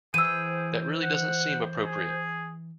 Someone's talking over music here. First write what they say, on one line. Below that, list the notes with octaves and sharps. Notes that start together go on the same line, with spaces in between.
That really doesn't seem appropriate.
E3 G#4 C5 G5 E6 D#7
F#5
G#4